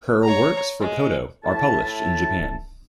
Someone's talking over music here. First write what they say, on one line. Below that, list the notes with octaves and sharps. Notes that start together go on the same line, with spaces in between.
Her works for koto are published in Japan.
C#5 A#5
G#3
A2 E4 E5 A5